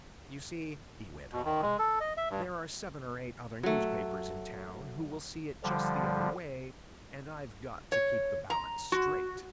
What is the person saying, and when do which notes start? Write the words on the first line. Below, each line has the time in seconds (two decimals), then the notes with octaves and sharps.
"You see," he went on, "there are seven or eight other newspapers in town who will see it just the other way and I've got to keep the balance straight."
1.32 B2
1.45 D#3
1.62 G#3
1.79 A4
2.00 D#5
2.17 E5
2.31 G2
3.63 F#3 A3
5.63 D3 F3 G3
7.92 C#5
8.50 A#5
8.92 F#4